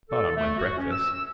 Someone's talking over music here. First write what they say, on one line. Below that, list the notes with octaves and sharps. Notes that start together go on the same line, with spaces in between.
Not on my breakfast.
A4
A3
F#4
C#4
E6